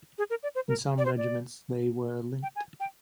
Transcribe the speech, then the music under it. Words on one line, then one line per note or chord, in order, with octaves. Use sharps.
In some regiments they were linked.
G#4
A#4
D5
C5
A#4
D5
C5
D5
G5
G#5
G5